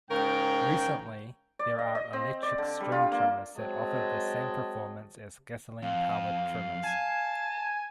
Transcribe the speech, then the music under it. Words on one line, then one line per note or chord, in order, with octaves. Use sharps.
Recently there are electric string trimmers that offer the same performance as gasoline-powered trimmers.
G#2 C#3 A#4 C#5 G5
D5
D#5
D#5
C4
D5
D3
G3
F4
A#3
F#3 G#3 C4 D#5 A5
F2 F5
G#5 A5